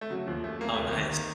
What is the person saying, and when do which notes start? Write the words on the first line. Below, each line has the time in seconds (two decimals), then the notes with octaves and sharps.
Oh, nice.
0.01 A3
0.10 C#3 F#3
0.27 D#2 F3
0.44 D#2 A3
0.60 D#2 A#3
0.74 C2 A3
0.88 A#3
0.93 D#3
1.10 D#3